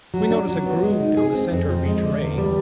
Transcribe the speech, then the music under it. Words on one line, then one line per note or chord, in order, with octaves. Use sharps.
We notice a groove down the centre of each ray.
F#3
D4
F#3
B3
G#3
D#4
G#4
C4
F2
F3
G#3
D3
E2
G3